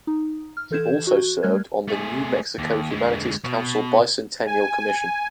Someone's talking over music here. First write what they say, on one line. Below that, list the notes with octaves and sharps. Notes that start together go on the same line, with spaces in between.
He also served on the New Mexico Humanities Council Bicentennial Commission.
D#4
F6
E3 A4 G6 G#6 E7
F#4
G3 A3 F6 F#6 G#6
A3 G#4
D#2
D3 G#3
B2
G#5